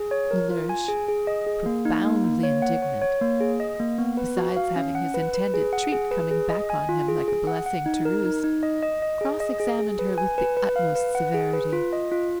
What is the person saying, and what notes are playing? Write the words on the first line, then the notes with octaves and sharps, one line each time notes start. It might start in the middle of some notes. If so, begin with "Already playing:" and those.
Mellersh, profoundly indignant, besides having his intended treat coming back on him like a blessing to roost, cross-examined her with the utmost severity.
Already playing: G#4
C#5
A#4
F4
G#5
G#4
G#4
D#5
G#4
A#3
D#4
A#3
A#3
C#5
F#5
C#5
C#5
A#3
G#4
D#5
A#3
B3
B4
F#4
F5
C#4
F#5
B4
B4
G#4
F#5
G#4
B4
G#4
D#5
G#5
F4
G#4
G#4
F#5
F#5
D#4
A#4
D#4
D#4
D#5
D#5
D#5
G#4
D#5
G#4
G#4
B4
G#5
B4
B4
F5
B4
F#5
G#4
B4
F4
D#5
F4